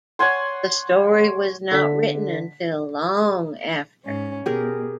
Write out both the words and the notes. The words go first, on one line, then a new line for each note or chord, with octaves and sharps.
The story was not written until long after.
C#5 F#5 G#5 C6
D3 B6
G#2 C#4
B2 G4 G#4 A#4